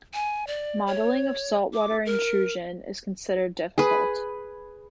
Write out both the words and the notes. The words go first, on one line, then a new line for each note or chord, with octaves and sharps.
Modeling of saltwater intrusion is considered difficult.
G#5
D5
C#5
D6
A#4
G#4 B4